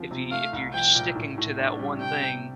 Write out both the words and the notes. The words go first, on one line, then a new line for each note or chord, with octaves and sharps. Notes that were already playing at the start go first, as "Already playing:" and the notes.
if you if you're sticking to that one thing,
Already playing: D2 F3 C4
C3
A3 F5
C2
F3 G5
A#2
A2
A2
D4
G3
C3 G5
C3